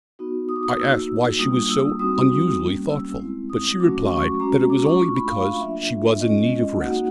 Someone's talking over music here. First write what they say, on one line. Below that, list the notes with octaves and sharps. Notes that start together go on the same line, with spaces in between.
I asked why she was so unusually thoughtful, but she replied that it was only because she was in need of rest.
B3 D#4 F#4
D#6
D6
D#6
A#3 D#4 F#4 E6
G3 A#3 D4 F4 D#6
E6
G3 C4 D#4 F#4 D#6
G3 A#3 C#4
E6
G#3 C4 E4
D#6
F#3 A3 C#4 F#4 D6
C#6
G#3 C#4 F#4 A#5
D6
C#6
A3 D4 F4 C#6
B5
F5
F#3 A#3 D4 F4 E5
G#3 C#4 F4 D#5
A#3 D#4 F#4 F#5